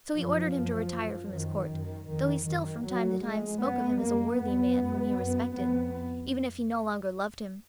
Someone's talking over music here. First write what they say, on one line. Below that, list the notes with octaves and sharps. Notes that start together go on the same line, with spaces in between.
So he ordered him to retire from his Court, though he still, from time to time, spoke of him as a worthy man whom he respected, even if he no longer loved him.
F#2 F3
F#2
F#2
F#2 D#3
F#2
F2 D#3
F#2 D#3
F2 F#3
F2 G#3
F#2 B3
F#2 A#3
F2 B3
F#2
F#2
F2 B3